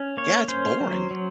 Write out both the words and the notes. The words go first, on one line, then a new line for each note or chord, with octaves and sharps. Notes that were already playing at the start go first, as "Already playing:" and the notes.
Yeah, it's boring.
Already playing: C#4
A#3 C#5
C#4 C5
F#3
F#3